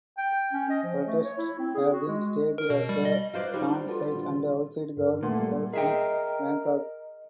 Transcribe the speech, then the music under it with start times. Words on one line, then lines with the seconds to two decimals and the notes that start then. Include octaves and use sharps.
Protests have been staged at the dam site and outside Government House in Bangkok.
0.18 G5
0.53 C#4
0.70 D#5
0.83 F3
1.07 A3
1.25 C#5
1.38 E4
1.59 C4
1.75 G#4
1.93 F#4
2.08 G#3
2.58 A#4
2.70 B2
2.89 G3
3.05 D#5
3.34 F4 B4 C5 D5
3.54 G3 D#4 F4 G4 C5
3.88 F4 F#4 A4 B4
4.13 A#2 D#3 D4
4.97 G#1 G2 A#4
5.23 A#2 A3 B4 F#5 C6
5.39 G3 B3 A#4
5.74 G#4 A#4 D#5 E5 G5